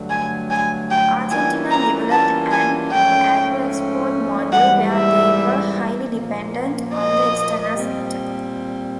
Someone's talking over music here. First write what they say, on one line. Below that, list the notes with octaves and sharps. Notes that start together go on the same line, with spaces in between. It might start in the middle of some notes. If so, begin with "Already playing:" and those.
Argentina developed an agro-export model where they were highly dependent on the external sector.
Already playing: G2 D3 F#3 A3
G#5
G#5
G5
E3 G3 A#3 C#4 F4 G#5
A#5
A5
G#5
G#2 F3 A3 C#4 G5
G#2 E3 G3 F#5
E5
A#2 F3 A#3
D#5
A#2 G3 C4